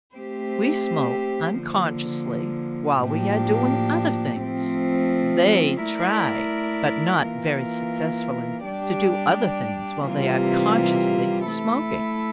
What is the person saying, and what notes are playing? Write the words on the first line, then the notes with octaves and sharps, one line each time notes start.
We smoke unconsciously while we are doing other things; THEY try, but not very successfully, to do other things while they are consciously smoking.
A3 C4 G4 C5
D3 F3 A#3
A2 F3 A#3 D4 G4
F3 A3 C4
A3 E4 A#4 D5
E3 A#3 F4 A#4
G3 D4 G4 D5
C3 E3 G3 A#3 F4
A3 E4 A4